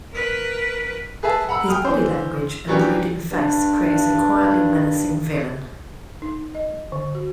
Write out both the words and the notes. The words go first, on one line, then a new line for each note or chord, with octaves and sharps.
His body language and brooding face creates a quietly menacing villain.
A#4 B4
G#4 B4 E5 A5
F#5 A#5 B5 E6
G5 D#6 F6
E3 C5
E3 F#3 G3 C#4 D4 G4
G2 D4
D#4
D#5
D3
F#4